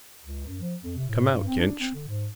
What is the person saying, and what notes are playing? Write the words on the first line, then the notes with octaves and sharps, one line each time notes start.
Come out, Kinch.
C#2
F#2
F3
F2
C3
A2
G2
C4
D4
C4
D3
G#2